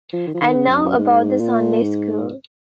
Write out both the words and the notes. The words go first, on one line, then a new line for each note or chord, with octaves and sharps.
And now about the Sunday school.
F3
D#3
F3
D#3
C#3
F#2
F#2
G#2
A#2
G#2